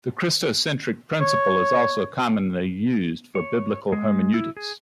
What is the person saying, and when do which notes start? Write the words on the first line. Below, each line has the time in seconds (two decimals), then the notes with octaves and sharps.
The christocentric principle is also commonly used for biblical hermeneutics.
1.21 C#5
3.35 C#5
3.92 G#3
4.34 E4
4.57 G#4